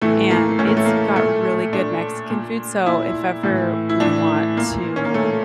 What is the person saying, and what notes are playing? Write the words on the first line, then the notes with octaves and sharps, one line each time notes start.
and it's got really good Mexican food, so if ever we want to
A2 E3 A3
A#3
A2 E3 A#3 C#4
A3
A#3
A#2 A3
A#2 D4
A#2
A#2 E4
A2 E3
E4
A2 E3 D4
A#2 A#3
C#4
A#3
A#2 A3